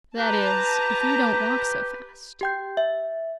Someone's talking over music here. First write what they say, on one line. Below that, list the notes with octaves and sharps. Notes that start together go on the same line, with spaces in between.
That is, if you don't walk so fast.
G4 B4 A5 A#5
G4 G5 G6
E5